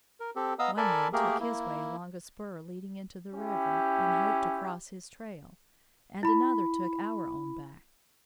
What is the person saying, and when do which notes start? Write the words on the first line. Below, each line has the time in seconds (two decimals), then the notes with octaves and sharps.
One man took his way along a spur leading into the river, in hope to cross his trail, and another took our own back.
0.20 A#4
0.36 C4 G4 A4
0.59 B3 D#5 F5 A#5 D#6 E6
0.77 A4 A#4 D5 G#5 A5 B5
1.13 A3 A#3 G4 G#4 A#4
1.40 A#3 E4
3.35 C#4 E4 G4
6.23 E4 B5